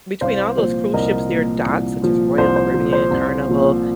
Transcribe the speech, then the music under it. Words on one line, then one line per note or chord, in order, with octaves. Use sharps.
between all those cruise ships, they're docked, such as Royal Caribbean, Carnival,
C2 C5 F5
A#2 F3 C5
C2 A#4 D#5
A#2 F3
C2
A#2 F3
C2 C5
C5
A#2 F3
C5
C2
A#2 F3